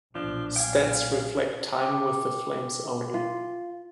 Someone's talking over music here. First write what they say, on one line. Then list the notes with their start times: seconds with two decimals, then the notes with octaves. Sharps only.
Stats reflect time with the Flames only.
0.15 B1 A#2 F3 D4
0.56 F5 G5 G#5
1.78 G5 D6
3.14 F4